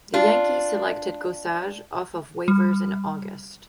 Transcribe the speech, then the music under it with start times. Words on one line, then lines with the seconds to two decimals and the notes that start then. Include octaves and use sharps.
The Yankees selected Gossage off of waivers in August.
0.14 D4 F4
2.48 G3